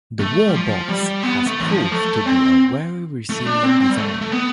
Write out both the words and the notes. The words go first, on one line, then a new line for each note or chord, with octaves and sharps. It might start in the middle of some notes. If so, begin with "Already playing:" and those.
The wall box has proved to be a very resilient design.
A3
G3
F3
G3
B3
A3
E3
F3
A3
C4
A3
D4
C4
C4
G3
A3
A3
B3